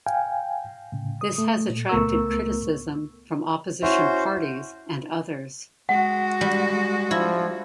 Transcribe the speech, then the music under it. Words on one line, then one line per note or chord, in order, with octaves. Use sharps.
This has attracted criticism from opposition parties and others.
F5 G5 G#5
A2 C#3
D#6
A3
A#2
C#2 A3 B3 A#4 C#6 E6
C#4 E4 F#4 C5
G#3 F#4 F#5
G3
F3 E4